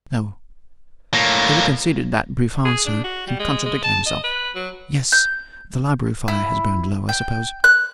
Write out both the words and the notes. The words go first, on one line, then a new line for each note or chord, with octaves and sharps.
"No." He reconsidered that brief answer, and contradicted himself. "Yes--the library fire has burned low, I suppose."
A2 A#3
G#4
D4
F#4
G3
G#3
G#3
A5
D#5
B4
F#3
G6
E4
G5
F#6